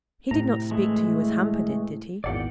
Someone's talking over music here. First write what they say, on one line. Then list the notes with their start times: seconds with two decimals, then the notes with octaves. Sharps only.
He did not speak to you as Hamper did, did he?'
0.31 A2 C3 A#5
0.71 E3 G#3 A3
2.24 G#1 E2 A#2 D5 F#5 G5